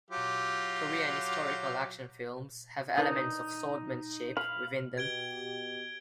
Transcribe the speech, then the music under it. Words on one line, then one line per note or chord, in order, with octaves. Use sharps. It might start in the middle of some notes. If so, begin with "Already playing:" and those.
Korean historical action films have elements of swordsmanship within them.
F#3 F4 G4
D#3 E3 D4 D#4 D#5
F4 F5 B5
B2 G4 G#6 D7 G7